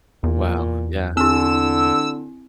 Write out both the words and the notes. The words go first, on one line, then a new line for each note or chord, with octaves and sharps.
Wow, yeah.
E2 A#2
D3 C4 E4 E6